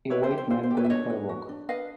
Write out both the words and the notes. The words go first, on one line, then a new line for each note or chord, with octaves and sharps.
A white man going for a walk.
E4 B4 C#5
C5
G4
C5
E4 C5
C5
G4
B4 C#5
E5
D4 C#5 D#5
B4
F#4
D4
B4 D#5 F5